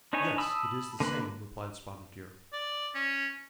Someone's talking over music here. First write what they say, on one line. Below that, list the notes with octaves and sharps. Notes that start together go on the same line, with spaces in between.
"Yes, it is the same," replied Spotted Deer.
D4 D#4 B4 C#5 G#5
A5 B5 D#6 E6
D3 A#3 B4 B5
D5
C#4